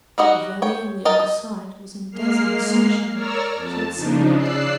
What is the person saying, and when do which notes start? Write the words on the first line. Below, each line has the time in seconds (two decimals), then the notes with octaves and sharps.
The valley on the other side was in dazzling sunshine--she had seen that.
0.18 G3 D#4 F#4 D#5 F#5
0.62 C#5 G5
1.05 A#4 D#5 G5 A5
1.20 D#5
2.11 G#3 A#3 F6 C7
3.13 A#4 C#5 D5 A#5 E6 F6
3.55 F2 A5
3.95 C#3 F3 D4 D#4
4.35 C#3 D5 E6 F#6 C7